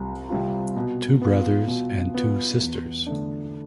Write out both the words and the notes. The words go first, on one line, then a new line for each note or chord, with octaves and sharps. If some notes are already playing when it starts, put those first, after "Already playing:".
Two brothers and two sisters.
Already playing: C2 C3 G3 C4 F4
C3 G3 C4 F4
B2
B3 F4
B2
B3 F4
E2
D3 A3 D4